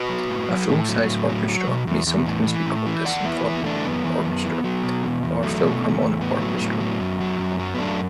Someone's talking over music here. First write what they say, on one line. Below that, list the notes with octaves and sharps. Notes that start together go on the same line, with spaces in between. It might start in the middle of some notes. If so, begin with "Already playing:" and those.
A full-size orchestra may sometimes be called a "symphony orchestra" or "philharmonic orchestra".
Already playing: F#4 B4
F#3
A2
F#3
A2
F#3
A2
F#3
F#3
B2
E2
E2
A2
E3
A2
E3
E2 D5 F#5
E3 B3 E4
E2 B3 E4
E3 A3 D4
F#2 B3
E3
F#2
E3
F#3
B2
E2
E2
F#3 A3
B2
E2
E2
A2 B3
F#3
A2
F#3
F#2
F#3
F#2
F#3
B3
F#2 A3 D4